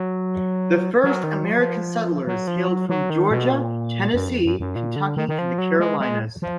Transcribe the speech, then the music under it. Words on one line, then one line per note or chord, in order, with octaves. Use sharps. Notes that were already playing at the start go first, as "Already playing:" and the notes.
The first American settlers hailed from Georgia, Tennessee, Kentucky, and the Carolinas.
Already playing: F#3
F#3
D#3
F3
F#3
F3
F#3
F3
F#3
F#3
D#3
B2
A#2
F#2
F2
F#2
F#2
A#2
D3
D#3
D#3
F3
F#3
G#3
G#3
F3